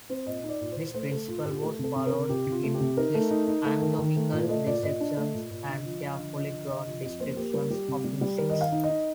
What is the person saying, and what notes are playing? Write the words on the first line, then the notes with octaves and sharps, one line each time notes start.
This principle was followed in his anatomical dissections and carefully drawn descriptions of insects.
C4 C5
A#2 D#5
D#4
D5
A#2
C5
A#2
A3 C5
A3 A4
A#2 F4
A#2 G4
A3 A4
C3 A4
C3
A#4
C3
C3 G4
C3
F4
A3
G4
C3
D#4 A#4
A3
D#4
D#4
A3
D#3
D#3
A3
A#2
A3 D#5
A#2 D5
A#2 D#5
D4
A3
A#2
A#2
D3
F3
F3
D3
F3 D#5
D3
D3 D#5
F3
F2 D#5
A#3 C5
A#3 G4
G3 A#4
G3 G4
C3
G3
G3
D#3 A#4
D#5
D#3
F5
D#4
D#5
D#4